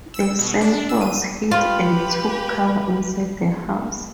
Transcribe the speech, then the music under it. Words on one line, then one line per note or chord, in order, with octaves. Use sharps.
The sentry was hit and took cover inside the house.
E6
B2
D4
E6
D#7
F4 G4 B4